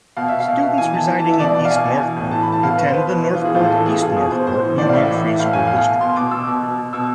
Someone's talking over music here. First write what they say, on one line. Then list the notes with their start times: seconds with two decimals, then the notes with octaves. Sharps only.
Students residing in East Northport attend the Northport-East Northport Union Free School District.
0.17 B2 F5
0.28 B2 E5
0.40 F5
0.47 B2
0.62 B2
0.78 E3 G#5
0.93 E3 A5
1.09 E3
1.19 A5
1.24 E3
1.30 E5
1.39 B2 D5
1.55 B2 D5
1.65 F5
1.70 B2 G#5
1.86 B2
2.01 E3
2.16 A2
2.31 E3 A5
2.42 B5
2.47 A2 A5
2.63 B2 F5
2.78 B2 B4
2.88 C5
2.93 B2 B4
3.08 B2
3.24 E3
3.35 E3 F4
3.45 G#4
3.54 A2 F4
3.65 A4
3.70 E3
3.75 A4
3.86 B2 G#4
4.01 B2 F4
4.17 B2 G#4
4.32 B2 C5
4.47 A2 C5
4.62 E3
4.78 A2 D5
4.89 F5
4.93 A2 E5
5.09 E3
5.24 A2
5.39 A2 F5
5.53 A2 G#5
5.67 B2 F5
5.86 B2
6.01 B2 C6
6.16 B2 D6
6.31 B2 E6
6.47 B2
6.63 B2
6.78 B2
6.93 B2 E6